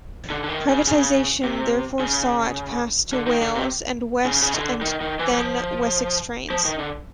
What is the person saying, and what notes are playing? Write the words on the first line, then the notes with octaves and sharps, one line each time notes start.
Privatisation therefore saw it pass to Wales and West and then Wessex Trains.
D3
D3
D#3
C#3
C#3
C3
C#3
D3
D#3
D3
C3
C#3
C#3
D3
D#3
D#3
E3
E3
F3
F3
D#3
D3